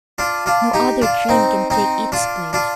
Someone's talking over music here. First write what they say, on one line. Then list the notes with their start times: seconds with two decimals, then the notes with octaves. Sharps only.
No other dream can take its place.
0.18 D4 F4
0.46 D4 F4
0.73 D#4 G4
1.02 D4 F4
1.29 C4 D#4
1.70 C4 D#4
2.12 D4 F4
2.53 D4 F4